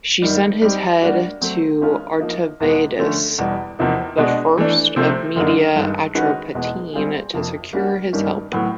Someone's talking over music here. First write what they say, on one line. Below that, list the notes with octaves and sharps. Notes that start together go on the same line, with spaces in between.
She sent his head to Artavasdes I of Media Atropatene to secure his help.
F#2 D#3 G3
G3 C4 D#4 G4
G3 A#3 D4 F#4
F#3 A3 C4
D#3 G#3 C#4 F4 A#4
F3 A#3 D#4
E2 B2 G#3 B3
D3 F3 A3 C#4
E2 B2 G3
E2 C3 F3 A#3 D#4
B2 G#3 B3 D4 F#4
E3 A3 D4
C3 F3 A3 C4
F#2 D3 F#3 A#3 D#4
G2 D#3 G#3
D#3 G#3 C#4 F#4 B4
E2 B2 G#3
G3 C4 F4 G#4
F2 C3 F3 A#3
G3 A#3 C#4 F#4
G2 D#3 G3 A#3 C#4
A2 F#3 B3